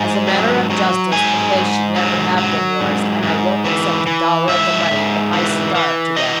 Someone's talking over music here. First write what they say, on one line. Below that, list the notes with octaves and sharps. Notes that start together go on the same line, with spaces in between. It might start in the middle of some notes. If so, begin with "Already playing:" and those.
"As a matter of justice, the place should never have been yours, and I won't accept a dollar of the money if I starve to death!"
Already playing: G#2 G#5
F#3
F#3
G#2 G#5
G#2
F#3
F#3
G#2
G#2
E3
E3
G#2 E5
G#2
E3
E3
D#5